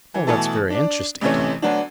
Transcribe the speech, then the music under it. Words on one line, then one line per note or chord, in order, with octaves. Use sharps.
"All that's very interesting, Tom."
E3
B2 E3 A3 A4
D4 D5
A1 C3 E3 A3 C#4
D2 F#3 B3 D4